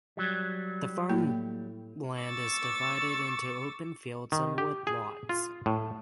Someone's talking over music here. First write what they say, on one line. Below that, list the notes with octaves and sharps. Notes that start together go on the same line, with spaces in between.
The farmland is divided into open fields and wood lots.
F#3 G3
A2 A#3
C#6 D6 E6 A6
D#3
G4
G#4
F4
A2